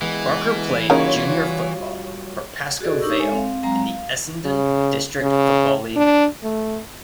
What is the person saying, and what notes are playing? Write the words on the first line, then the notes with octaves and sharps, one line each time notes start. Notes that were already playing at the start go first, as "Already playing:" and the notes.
Barker played junior football for Pascoe Vale in the Essendon District Football League.
E3 G#3 B3
C#3 G3 A#3 D#4 F4 F#4 C#5
F#4 G#4 A4 D5 D#5
D4 D#4 G4 A#4 C#6 E6
G#3 A4 C#5 E5 G#5
C4 F5
F#3 G#3 C4 F5 A#5
F5
C#3
C#3
D4
A3